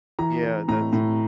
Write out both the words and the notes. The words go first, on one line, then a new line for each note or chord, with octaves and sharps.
Yeah, that's
E3 A#5
E3
A2 A#5
A2